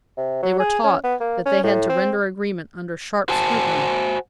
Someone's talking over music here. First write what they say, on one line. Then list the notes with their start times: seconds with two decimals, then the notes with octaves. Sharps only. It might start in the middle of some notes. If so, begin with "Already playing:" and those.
They were taught that they had to render agreement under sharp scrutiny.
0.17 C3
0.43 F#3
0.59 G#4
0.84 C#4
1.04 B3
1.20 A#3
1.45 C#4
1.63 A2
1.89 C4
3.29 F#4 C5 G#5 A5